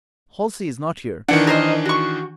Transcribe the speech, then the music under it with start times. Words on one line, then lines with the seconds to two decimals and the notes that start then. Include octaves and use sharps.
Halsey is not here.
1.28 D#3 E3 D4 F#5
1.47 A#4 C5 D#5
1.85 F#4 C#6